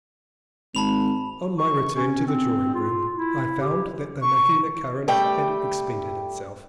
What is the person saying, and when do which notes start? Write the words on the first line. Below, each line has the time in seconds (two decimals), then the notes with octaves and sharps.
On my return to the drawing-room, I found that the Mahaina current had expended itself.
0.75 G#1 A5 B5 F7
1.58 C#6
1.96 C#4
2.27 C4
2.75 F4
3.14 E4
3.61 G4
4.21 C#6
5.08 G3 A3 D5 G5